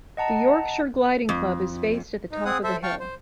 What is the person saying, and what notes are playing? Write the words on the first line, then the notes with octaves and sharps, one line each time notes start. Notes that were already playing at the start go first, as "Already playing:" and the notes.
The Yorkshire Gliding Club is based at the top of the hill.
D#5 F#5 A5 A#5
F2
D#4
C4 G#4 F#5 D#6
A4 C5 E5
F5 G5 A5 C#6
C5